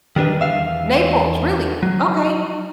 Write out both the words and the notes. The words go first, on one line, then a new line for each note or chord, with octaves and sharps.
Naples, really? Okay.
D#3 G3 D4 B4
E2 E5 F5
F#3